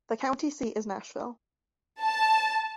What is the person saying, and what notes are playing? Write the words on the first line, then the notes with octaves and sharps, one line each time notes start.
The county seat is Nashville.
A5